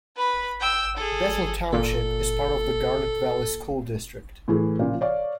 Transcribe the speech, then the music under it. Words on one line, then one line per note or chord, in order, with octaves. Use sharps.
Bethel Township is part of the Garnet Valley School District.
B4 B5
G5 E6
G#4 A4
A#2 A4
A2 E3 G#4
A#2 C#3 F3
C#5 D5 F5